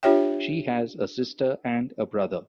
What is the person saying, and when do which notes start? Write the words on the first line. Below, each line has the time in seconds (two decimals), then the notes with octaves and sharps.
She has a sister and a brother.
0.03 D4 F4 G4 C#5 E5 G5